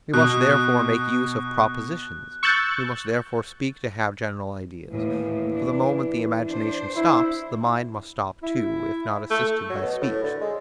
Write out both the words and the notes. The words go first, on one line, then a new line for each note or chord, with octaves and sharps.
We must therefore make use of propositions; we must therefore speak to have general ideas; for the moment the imagination stops, the mind must stop too, if not assisted by speech.
B2 F#6
C#6 E6 F#6 G6 A6
D#2 A2 E3
D4
D4 C5
E4
E4
A3
F#3
B2
A2
D3
G#3